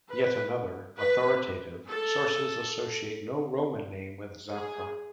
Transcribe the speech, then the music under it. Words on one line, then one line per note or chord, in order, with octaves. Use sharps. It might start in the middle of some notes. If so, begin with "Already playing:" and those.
Yet other, authoritative, sources associate no Roman name with Zafra.
B4
B4
A4
G#4